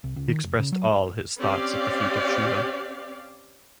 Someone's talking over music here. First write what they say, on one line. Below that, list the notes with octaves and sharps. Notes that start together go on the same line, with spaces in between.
He expressed all his thoughts at the feet of Shiva.
C2
C#2
D#3
F1
C#3
F#3
C4 C#4 G4 D5 F5